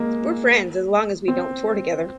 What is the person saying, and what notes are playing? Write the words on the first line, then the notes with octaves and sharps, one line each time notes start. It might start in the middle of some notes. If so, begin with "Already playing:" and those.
We're friends as long as we don't tour together.
Already playing: G#3 A#3
C4